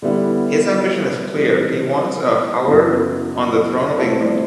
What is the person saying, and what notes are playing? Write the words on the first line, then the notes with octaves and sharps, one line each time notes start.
His ambition is clear: he wants a Howard on the throne of England.
D3 G3 B3 E4
E3 G3 C4 D#4
F#2 C#3 F#3 B3 E4
F3 A3 C4 E4 A4